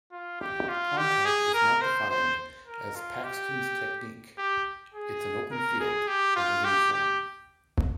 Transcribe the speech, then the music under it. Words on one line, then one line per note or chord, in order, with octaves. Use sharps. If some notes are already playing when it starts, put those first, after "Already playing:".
Contact Is not defined as "Paxton's technique", it's an open field, a living form.
F4
G4
F4
G4
G#4
A#4
C5
C5
A#4
F4
G4
G4
G#4
A#4
G#4
G4
F4
G4
G4